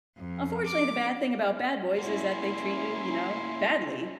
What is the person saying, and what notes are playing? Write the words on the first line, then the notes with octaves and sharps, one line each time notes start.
unfortunately, the bad thing about bad boys is that they treat you, you know, badly.
F2
D6
A#3 C#4 E4 F#4 C6